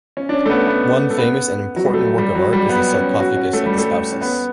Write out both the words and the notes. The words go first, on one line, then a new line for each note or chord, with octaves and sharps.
One famous and important work of art is the Sarcophagus of the Spouses.
C#4
D4
C#4
A3
B3
B3
A3
B3
F#3
G3
A3
G3
F#3
G3
B3
C#4
F#4
C#4
A3
G3
A3
C#4
B3